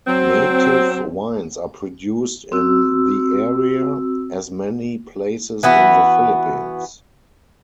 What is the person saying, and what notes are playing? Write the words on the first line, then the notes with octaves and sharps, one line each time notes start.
Native wines are produced in the area, as in many places in the Philippines.
F#3 C4
C4 F#4 E6
E3 B3 F#4